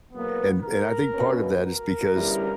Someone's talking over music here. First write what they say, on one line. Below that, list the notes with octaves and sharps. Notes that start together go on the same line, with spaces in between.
and and I think part of that is because
E2 B2 F#3 A#3 B3
A#4
B2 A#3 C#4 F#4 B4
A#4
D2 C#3 G3 B3 E4